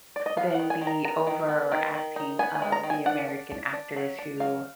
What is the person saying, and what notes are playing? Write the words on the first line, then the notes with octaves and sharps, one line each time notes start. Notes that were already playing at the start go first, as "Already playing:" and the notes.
than the over-acting of the American actors who
D5
D#5
B3 F5
F#5
D#3
G#5
D#3
A#5
B3 A#5
D#3
B3
D#3
D#3
D#4
B3 G#5
G#5
G#3
A#5
D#3
G#5
D4 F#5
D4
D4
D4
F#3
D4
F#3 F5